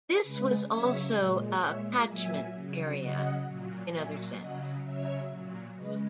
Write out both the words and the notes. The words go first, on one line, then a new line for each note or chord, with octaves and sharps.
This was also a 'catchment area' in another sense.
C#3 G#3 B4
C#3 F#3 C#5 E5
A#2 G#3
A#2 G#3 C#5 E5
A#2 F#3 E5 G#5
C#3 F#3
C#3 F#3 D#5 F#5
A#2 F#3
A#2 F#3 E5 G#5
C#3 F#3 D#5 F#5
C#3 F#3 C#5 E5
A#2 F#3
C#3 G#3 B4 D#5